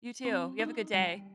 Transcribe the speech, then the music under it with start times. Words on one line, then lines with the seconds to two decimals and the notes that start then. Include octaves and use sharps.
You, too. You have a good day.
0.25 C4
0.59 D#4
0.94 G3